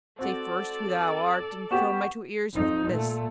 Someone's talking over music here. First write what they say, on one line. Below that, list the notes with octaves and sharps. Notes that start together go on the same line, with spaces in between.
Say first who thou art, and fill my two ears with bliss.'
C4 F#4 A4 D5
B3 C#4 G4 F#5 C#6 E7
F2 D#4
A#2 A3